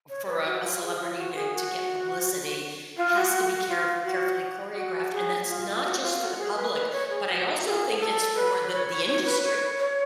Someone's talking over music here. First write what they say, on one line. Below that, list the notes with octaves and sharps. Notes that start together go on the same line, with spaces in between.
for a a celebrity to to get publicity has to be care carefully choreographed, and that's not just for the public, but I also think it's for the the industry,
C#5
B4
F#4
F4
G#4
F4
F4
F#4
G#4
F#4
F4
F#4
F#4
F#4
F4
F#4
F#4
G#4
F4
F4
F#4
F4
F#4
G#4
B4
B4
C#5
G#4
F#4
G#4
A4
B4
C#5
C#5
C#5
B4
C#5
C#5